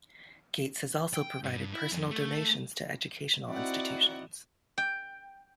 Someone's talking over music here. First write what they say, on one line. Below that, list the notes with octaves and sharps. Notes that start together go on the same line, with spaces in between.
Gates has also provided personal donations to educational institutions.
G5
G2
E4
F2
A3
C4 D#4 E4 F#4 D5 F#5
G5